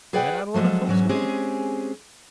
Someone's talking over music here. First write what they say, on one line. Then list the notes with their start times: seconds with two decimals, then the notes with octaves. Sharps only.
"Where are all the folks going?"
0.13 G#4 B4 D5 E5 F#5 G5
0.54 F3 F#3 G#3 A3 D4
0.86 E2 G#2 F#3 C#4
1.09 G#3 C4 C#4 G4 G#4